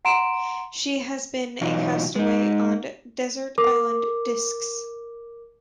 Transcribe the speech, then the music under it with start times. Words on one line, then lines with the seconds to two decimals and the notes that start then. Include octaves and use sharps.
She has been a castaway on "Desert Island Discs".
0.05 F#5 A#5 C6 D7 E7
1.61 B2 E3 F#3 D#4 F4
2.16 G#3 D#4
3.58 A#4 D6